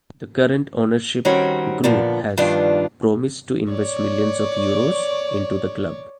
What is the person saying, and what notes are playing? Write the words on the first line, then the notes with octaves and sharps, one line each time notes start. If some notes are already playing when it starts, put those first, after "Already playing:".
The current ownership group has "promised to invest millions of euros" into the club.
D#3 G3 C4 C#4 F#4 C#5
A#2 D3 F3 B3
G2 D#3 F3 B3 D4 F4
C#5 D5